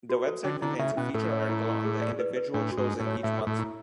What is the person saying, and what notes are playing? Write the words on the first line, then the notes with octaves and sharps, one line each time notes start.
The website contains a feature article on the individual chosen each month.
F#4
A4
D3 C#4
D3 E4
C#3 E5
B2 C#4
A2 A4
C#5
E4
E4
G#4
D5
B4
B4
A2 D4
F#4
G#2
G#5
A2
C#5
A2 E5
A4
A2
E4